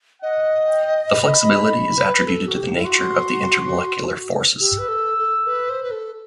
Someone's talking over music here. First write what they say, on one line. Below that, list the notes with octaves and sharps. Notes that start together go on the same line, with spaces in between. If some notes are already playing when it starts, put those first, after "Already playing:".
The flexibility is attributed to the nature of the intermolecular forces.
D#5 F#5
G5
B5
B4
B4
A4
F#4
G4
E4
F#4 C6
G4 E6
B4
A4
A4
B4
C5
B4
A4